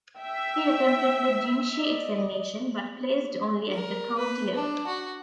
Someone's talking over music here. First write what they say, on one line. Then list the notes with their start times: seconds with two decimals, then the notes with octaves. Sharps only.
He attempted the Jinshi examination, but placed only at the county level.
0.18 E5 G5
1.78 D5 D#5
3.74 A#4
4.18 B4
4.55 D4
4.87 F#4